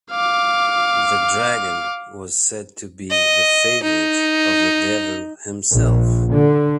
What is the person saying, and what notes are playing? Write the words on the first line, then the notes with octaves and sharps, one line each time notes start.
The dragon was said to be the favourite of the Devil himself.
F5 D6
D#5
D#4
A#1
D3